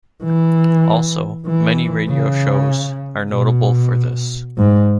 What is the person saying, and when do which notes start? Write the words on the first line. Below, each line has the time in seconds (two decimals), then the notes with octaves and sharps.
Also, many radio shows, are notable for this.
0.24 E3
1.46 E3
2.09 C#3
3.32 B2
4.58 G#2